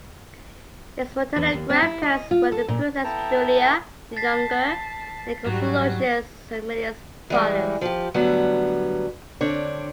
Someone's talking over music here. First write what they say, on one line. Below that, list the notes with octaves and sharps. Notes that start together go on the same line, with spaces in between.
His maternal grandparents were the princess Julia the Younger and consul Lucius Aemilius Paullus.
E2
D#2
C4
E4
D#5
F4
A4
A#2
B3 E4 A4 G5 A5 A#5
A5 A6 B6 C7
G#2 F#3 G3 F#4
E3 G3 G#3
F3 G4
A2 D3 F#3 G3 B3
D3 C4 D4 C#5